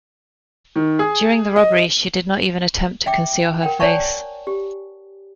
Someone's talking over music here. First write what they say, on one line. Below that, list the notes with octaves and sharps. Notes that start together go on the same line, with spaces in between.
During the robbery, she did not even attempt to conceal her face.
D#3
G#4
D#5
E5 G5 D6
A#4 F#5 G5
C#5 D5 G#5 A5 C#6
G4